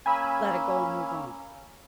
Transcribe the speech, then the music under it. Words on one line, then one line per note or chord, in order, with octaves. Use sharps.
let it go and move on?
A#3 C#4 G#5 B5 E6